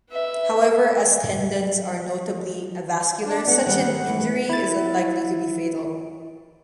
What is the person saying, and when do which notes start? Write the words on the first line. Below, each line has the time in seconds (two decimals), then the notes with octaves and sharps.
However, as tendons are notably avascular, such an injury is unlikely to be fatal.
0.10 B4 E5
3.26 D4
3.47 B3 F#5
3.66 D#3 G3 A#3
4.07 D#3 E3
4.49 E4 A6